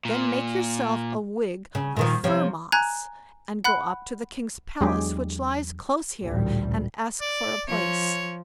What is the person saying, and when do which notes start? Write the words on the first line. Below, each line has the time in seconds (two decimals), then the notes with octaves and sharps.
Then make yourself a wig of fir-moss, and go up to the king's palace, which lies close here, and ask for a place.
0.05 A#2
1.75 C#3
1.97 A#2 D#3 F3
2.24 C3 F3 C#4
2.72 G#5 A#5 F#6 G#6
3.64 F#5 B5 F#6
4.81 E2 F#3 G#3 D4 G4 G#4
6.23 A1 D2 A#2 G3
7.20 D5
7.68 F3 C#5